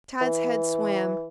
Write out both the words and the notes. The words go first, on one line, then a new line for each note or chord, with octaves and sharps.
Tad's head swam.
E3